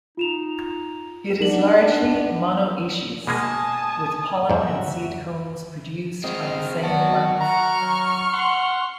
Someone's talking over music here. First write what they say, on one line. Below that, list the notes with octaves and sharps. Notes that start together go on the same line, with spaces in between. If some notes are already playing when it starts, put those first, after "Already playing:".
It is largely monoecious with pollen and seed cones produced on the same plants.
D#4 F4 E7 F7
B3 D4 D#4 A#4 F#7
B2 G#3 A#3 G#5 A5 D#6
F2 G#2 F#4 E5
G#3 C4 D#5 F6
D#3 F#3 B3 F#4 D5 A5
F#5 A#5 C#6 F6
F#3
F#5 C6